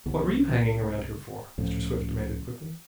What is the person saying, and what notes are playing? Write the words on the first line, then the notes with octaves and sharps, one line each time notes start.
"What were you hanging around here for?" Mr. Swift demanded quickly.
C2 C#3 B3
C#2 A2 F3